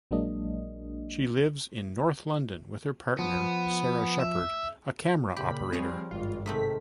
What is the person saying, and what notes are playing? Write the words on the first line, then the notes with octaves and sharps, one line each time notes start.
She lives in north London with her partner Sara Shepherd, a camera operator.
A#1 F#3 G#3 A#3 D4 D#5
F3 B3
E5
A#2 C#3 G4 B5
F3 G3 C4 G#4 B4 C#5
G#1 G2 F4
G#2 C3 D#3 A3 C4 B6